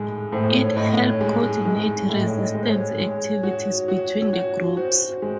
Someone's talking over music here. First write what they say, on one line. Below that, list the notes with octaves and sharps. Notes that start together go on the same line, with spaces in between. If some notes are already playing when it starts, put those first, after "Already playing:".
It help coordinate resistance activities between the groups.
Already playing: A2 G#3
A2 C5
C#5
A2 D#5
C#5
G#3
G#3
A2 D#5
C#5
D#5
G#3
C5
C#5
G#3
F#4
F#4
F#4
F#4 C5
G#3